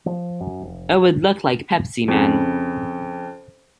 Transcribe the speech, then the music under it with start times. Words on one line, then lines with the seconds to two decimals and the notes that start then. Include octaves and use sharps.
It would look like Pepsi Man!
0.06 F3
0.41 F#2
0.62 F1
2.08 F2 C#3